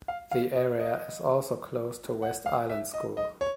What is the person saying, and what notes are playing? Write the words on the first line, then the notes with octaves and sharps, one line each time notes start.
The area is also close to West Island School.
F5
F5
D#5
D#5
F#5
F5
E5
D#5
D#5
C#5